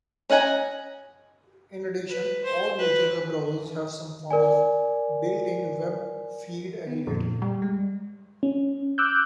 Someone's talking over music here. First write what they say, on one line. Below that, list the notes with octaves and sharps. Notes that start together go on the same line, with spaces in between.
In addition, all major web browsers have some form of built-in web feed aggregator.
C#4 D#5 F#5 G#5 A#5
B4
C5
B4
A#4 D5 G#5
B3
F2 A#2
G3
G#3
C#4
D6 E6 F#6 G6